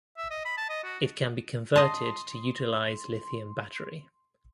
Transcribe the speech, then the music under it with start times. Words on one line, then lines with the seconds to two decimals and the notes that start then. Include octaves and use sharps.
It can be converted to utilize lithium battery.
0.17 E5
0.31 D#5
0.45 B5
0.57 A5
0.70 D#5
0.84 F#4
1.76 D#5 A5 C6